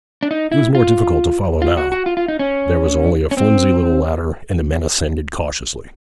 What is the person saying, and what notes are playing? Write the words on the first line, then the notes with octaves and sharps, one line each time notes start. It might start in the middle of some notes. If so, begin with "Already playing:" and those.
It was more difficult to follow now; there was only a flimsy little ladder, and the men ascended cautiously.
D4
D#4
E4
F4
F4
F#4
F#4
F4
F4
D#4
C#4
C#4
C4